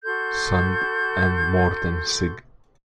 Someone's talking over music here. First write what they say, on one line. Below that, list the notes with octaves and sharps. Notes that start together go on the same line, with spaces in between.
Sundt and Morten Sig.
F#4 A4 C6 G6